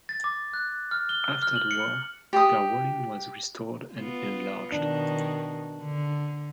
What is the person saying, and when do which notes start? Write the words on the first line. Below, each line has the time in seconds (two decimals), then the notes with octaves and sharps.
After the war Garwolin was restored and enlarged.
0.09 A6
0.24 D6
0.54 F#6
0.91 F6
1.09 G7
1.42 F6
1.56 F#7
1.71 C#7
2.33 G4 D#6
3.94 B3 F4
4.72 B2 D#3 D4
5.82 D3